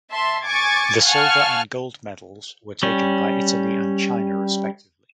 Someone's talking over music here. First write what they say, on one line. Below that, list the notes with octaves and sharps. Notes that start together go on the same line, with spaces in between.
The silver and gold medals were taken by Italy and China respectively.
E5 A5 C6
G#5 C#6 D6 G#6 A6
F5 F#5 G#5 A5 C#6 F6
G3 C#4